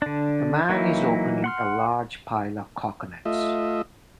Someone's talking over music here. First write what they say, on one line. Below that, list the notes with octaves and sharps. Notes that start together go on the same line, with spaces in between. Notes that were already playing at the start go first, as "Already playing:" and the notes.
The man is opening a large pile of coconuts.
D3 D4
E3 F#3 A#3 D#4 E4
F#5 C6 F6
A3 F4 D#5 E5